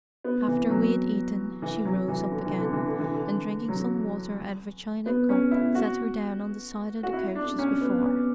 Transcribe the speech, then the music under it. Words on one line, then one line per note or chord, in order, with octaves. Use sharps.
After we had eaten, she rose up again, and drinking some water out of a china cup, sat her down on the side of the couch as before.
B3
E3
F#3
E3
F#3
E3
D3
E3
D3
E3
D3
E3
D3
F#3
B3
C#4
E4
F#4
F#4
E4
D4
C#4
B3
C#4